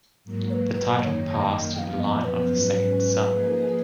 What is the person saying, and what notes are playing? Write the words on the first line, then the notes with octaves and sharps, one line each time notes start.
The title passed to the line of the second son.
G#2 F#3 A#3
C#5
B4
B4
F#2 D#3 A#3 D#4 C#5 D#5
D#5
F#2 F3 B3 F5 G5
D#5
B4
G#2 F#3 C#4
F3 A#3 D#4 G#4